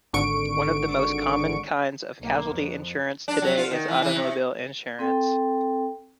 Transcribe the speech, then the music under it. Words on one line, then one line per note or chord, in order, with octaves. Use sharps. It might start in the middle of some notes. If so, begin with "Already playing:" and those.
One of the most common kinds of casualty insurance today is automobile insurance.
G#1 D3 C#6 D7
B1 A#3
F2
D4
F#3
F4
D#3
E3
E3
C3
C4 A4 G5